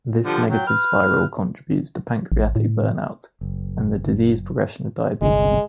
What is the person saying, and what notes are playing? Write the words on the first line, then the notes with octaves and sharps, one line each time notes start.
This negative spiral contributes to pancreatic burnout, and the disease progression of diabetes.
D3 F3 G3
F#3 G5
B4 F6
A1
A2
F#1
G1 C2 G#3